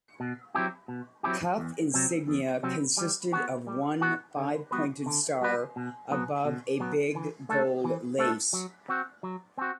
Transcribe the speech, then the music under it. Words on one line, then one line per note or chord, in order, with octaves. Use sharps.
Cuff insignia consisted of one five-pointed star above a big gold lace.
B2
F#3 C4 E4 G4
B2
F#3 C4 E4 G4
E2
C3 F#3 C4
E2
C3 F#3 C4
G3
B3 F#4
G3
B3 F#4
D3
G3 B3 F#4 B4
D3
G3 B3 F#4 B4
B2
F#3 B3
B2
F#3 B3
E3
A3 D4 A4
E3
A3 D4 A4
F#3
C4 F#4
F#3
C4 F#4